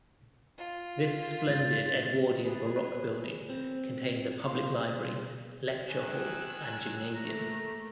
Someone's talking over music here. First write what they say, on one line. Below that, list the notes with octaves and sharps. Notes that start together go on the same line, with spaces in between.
This splendid Edwardian Baroque building contains a public library, lecture hall and gymnasium.
F4
G#1 A6
B3 G#4 B4
C4
B2 F5 C6
D#3 G#5 E6 F#6
A3 A#3 A#4 A#5